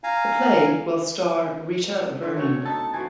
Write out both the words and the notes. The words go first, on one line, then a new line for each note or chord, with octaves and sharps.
The play will star Rita Vernon.
F5 G#5 A#5
D3 C4
A3 F#4 C#5
D#4 E5 F#5 A5
E3 F#4 C5 G#5